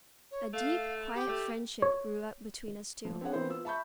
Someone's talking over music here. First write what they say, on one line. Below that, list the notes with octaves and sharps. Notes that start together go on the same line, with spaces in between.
A deep, quiet friendship grew up between us two.
C#5
A3 F5
G4
A3
C#5
F3
C4 D4 G#4 C#5 F#5
E3 B3 C4 E4 A#4 C5
B3 F4 E6
E5 A5 B5 C#6 G6